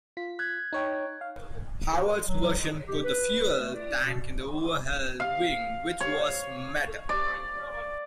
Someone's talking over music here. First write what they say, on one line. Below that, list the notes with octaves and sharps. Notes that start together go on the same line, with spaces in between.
Houart's version put the fuel tank in the overhead wing, which was metal.
F4 B6
F#6 G#6
D#4 C#5 G5
F5
F#3
G#3
G4
B4
A3
D5
B2
F5
C#5
D5